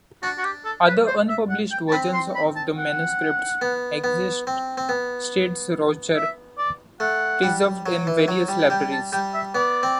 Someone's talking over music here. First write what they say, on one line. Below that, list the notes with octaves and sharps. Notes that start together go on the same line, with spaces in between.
Other unpublished versions of the manuscripts exist, states Rocher, preserved in various libraries.
D4 F#4
F#4
G4
A4
B4
C5
E5
F#5
G5
A5
C4 B5
C6
B5
A5
F#5
B3
B3
C4
C4
B3
E5
D5
A3 F#5
G3
F#3
E3
F#3
G3
G3 G5
A5
G3 G5
E5
B3 D5
C4